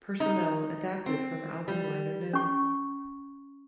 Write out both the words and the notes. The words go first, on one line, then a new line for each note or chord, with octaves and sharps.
Personnel adapted from album liner notes.
D#4
C4
G3
C#4 C#6